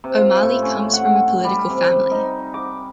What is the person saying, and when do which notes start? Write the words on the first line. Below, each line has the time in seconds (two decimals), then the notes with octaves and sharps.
O'Malley comes from a political family.
0.04 C3
0.18 F4
0.42 A2
0.62 C#4
0.93 F#5
1.44 G3
1.70 C3
1.90 G3
2.11 D#4
2.54 D6